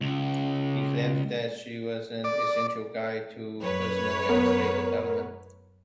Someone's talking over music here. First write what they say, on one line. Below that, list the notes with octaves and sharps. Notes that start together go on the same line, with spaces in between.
He claimed that she was an essential guide to personal and state development.
C#2
D5
F#2 B4 C#5
B3 A#4